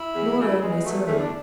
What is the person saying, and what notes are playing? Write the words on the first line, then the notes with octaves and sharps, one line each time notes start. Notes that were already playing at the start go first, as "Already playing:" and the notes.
Nor only so.
Already playing: E4
E2
C#3 F#3
E2 G#3
B2 F#3 A3
E2 A3
D4